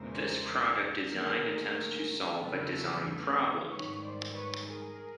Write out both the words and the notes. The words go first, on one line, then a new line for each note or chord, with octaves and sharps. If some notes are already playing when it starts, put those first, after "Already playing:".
This product design attempts to solve a design problem.
Already playing: E2 C#3 E3 G#3 A#4 C5
D#2 D3 F#3 A3 G#4 A#4
E2 C#3 F#3 A3 A4 B4
G#2 D#3 G3 B4 C#5
C5 D5
B4 C#5
G#4 A#4